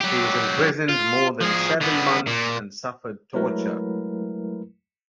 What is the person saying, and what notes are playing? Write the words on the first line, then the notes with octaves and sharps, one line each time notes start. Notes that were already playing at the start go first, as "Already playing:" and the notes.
He was imprisoned more than seven months, and suffered torture.
F#3 G4
F4
F3 G#4
D3 B3
A#2
F#3 G#3 A3 E4 A#4 B4